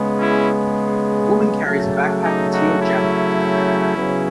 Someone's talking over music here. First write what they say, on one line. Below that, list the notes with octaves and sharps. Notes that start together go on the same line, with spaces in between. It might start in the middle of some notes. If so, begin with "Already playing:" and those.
A woman carries a backpack and teal jacket.
Already playing: C#3 G#3 B3
C#4 E4
C#3 F#3 A3
D#4
D#4 F#4
C#4 E4
C#3 F#3 B3